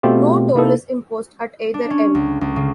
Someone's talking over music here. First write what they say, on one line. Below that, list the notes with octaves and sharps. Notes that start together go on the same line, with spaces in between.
No toll is imposed at either end.
B2 A3 C4 F4 G4
C3 A#3 D#4 E4 A4
D4
C#4
C#2
C#2
C#3